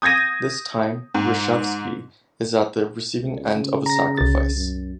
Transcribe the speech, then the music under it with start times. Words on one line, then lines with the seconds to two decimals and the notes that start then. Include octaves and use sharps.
This time Reshevsky is at the receiving end of a sacrifice.
0.02 D#6 G6 G#6 A#6 D#7
1.14 G#2
3.18 C#2
3.55 C#3
3.86 A#5 A#6
4.17 C2 A6
4.56 F#2